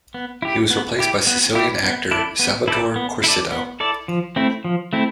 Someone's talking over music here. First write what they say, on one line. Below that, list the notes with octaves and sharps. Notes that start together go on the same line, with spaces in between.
He was replaced by Sicilian actor Salvatore Corsitto.
B3
E4 G4
B3
E4 G4
B3
E4 G4
B3
E4 A4 D5
B3
E4 A4 D5
B3
E4 A4 D5
B3
E4 A4 D5
F3
A3 C4 E4
F3
A3 C4 E4